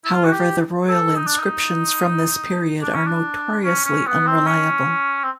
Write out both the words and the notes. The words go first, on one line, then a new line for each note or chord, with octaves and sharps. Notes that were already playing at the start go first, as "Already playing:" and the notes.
However, the royal inscriptions from this period are notoriously unreliable.
E4
F4
F#4
G4
A4
D#4
D4
D#4
D4
C#4
D4
C#4
C#4
B3
C4
C#4
C4